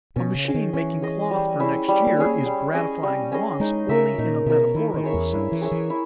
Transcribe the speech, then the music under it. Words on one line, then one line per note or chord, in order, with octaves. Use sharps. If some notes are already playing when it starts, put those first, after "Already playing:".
A machine making cloth for next year is gratifying wants only in a metaphorical sense.
B2 C#4
C#3
G#4 D#5
D#3
E3 C#4
G#4 D#5
G3
C#4 E4 G#4
G3
A#3
C#4 E4 G#4
A#3
G3
C#4 G#4 D#5
G3
C#4 G#4 D#5
G#3 D#4
C#3 A#4 E5
A#2 D#4
B2 A#4 E5
D#3 E4
D#3
G#4 C#5 E5
E2
G2 E4
E3
G#4 C#5 E5
E3
E4